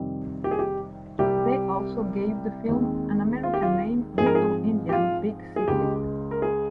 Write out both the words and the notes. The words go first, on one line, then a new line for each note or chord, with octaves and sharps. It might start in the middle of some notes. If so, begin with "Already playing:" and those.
They also gave the film an American name Little Indian, Big City.
Already playing: F2 C3 D#3 G3 C4
G4
G#4
G4
C2 C3 G3 C4 G4
D#2 D#3 G#3 C4
F4
G4
F4
G#2 F3 G#3 C4 G#4
A#4
G#4
G4
F4
G#4
C#2 C#3 G#3 G4
A#4
G#4